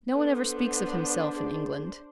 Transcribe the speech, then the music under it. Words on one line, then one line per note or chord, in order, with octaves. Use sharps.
No one ever speaks of himself in England.
B3 D4 A4 C5
G#4